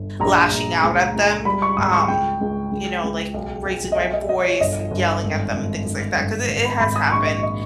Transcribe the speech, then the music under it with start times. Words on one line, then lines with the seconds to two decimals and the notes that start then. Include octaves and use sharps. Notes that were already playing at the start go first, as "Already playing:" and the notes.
lashing out at them, um, you know, like raising my voice and yelling at them and things like that 'cause it it has happened,
Already playing: G1
0.20 A#1 A#5
0.51 A#1
0.83 C#2
1.15 C#2
1.45 G3 B5
1.62 C#6
1.77 G#1 D#6
1.93 C#6
2.08 C#2 G5
2.41 C#2
2.71 C#2
3.04 C#2
3.34 B1
3.65 B1
3.92 D#5
3.97 B1 E5
4.13 D#5
4.29 B1 D#5
4.44 C#5
4.60 G1 D#5
4.91 G1
5.24 G#1
5.54 G#1
5.86 G1
6.17 G1
6.49 G#1
6.65 B5
6.80 G#1 B5
6.96 D#6
7.11 A#1 C#6
7.27 D#5
7.43 D#5